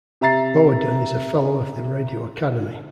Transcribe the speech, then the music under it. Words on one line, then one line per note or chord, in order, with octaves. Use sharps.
Boaden is a Fellow of The Radio Academy.
C3 E5 A#5 A6 C7